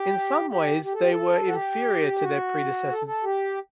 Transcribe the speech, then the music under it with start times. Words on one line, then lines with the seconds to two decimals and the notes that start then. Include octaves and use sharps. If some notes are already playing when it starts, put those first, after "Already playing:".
In some ways they were inferior to their predecessors.
Already playing: G4
0.50 G4
0.84 G4
0.94 A4
1.02 G4
1.11 A4
1.46 F#4
1.52 G4
2.21 F#4
2.90 A4
3.07 A4
3.23 G4